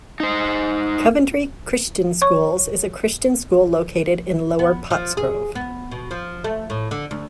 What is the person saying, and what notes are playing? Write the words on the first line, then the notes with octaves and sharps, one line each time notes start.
Coventry Christian Schools is a Christian school located in Lower Pottsgrove.
D#4 C5
C#5 C#6
B3
F3
G#4
B3
B2
F3
A3
A2
D3
D2